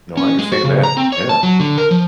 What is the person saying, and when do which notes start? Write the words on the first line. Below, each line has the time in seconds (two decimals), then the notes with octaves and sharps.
No, I understand that. Yeah.
0.17 C#4
0.39 G#3
0.52 F#4
0.64 C#3
0.83 A#5
0.97 C4
1.12 C#5
1.29 A5
1.43 F#3
1.60 D3
1.78 A#4
1.91 F3